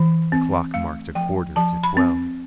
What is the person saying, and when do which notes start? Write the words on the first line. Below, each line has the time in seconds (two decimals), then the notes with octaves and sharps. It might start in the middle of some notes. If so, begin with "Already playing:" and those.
The clock marked a quarter to twelve.
Already playing: E3
0.32 C4
0.74 A3 F5
1.15 F3 G5
1.56 F3 A5
1.83 B5
1.97 C4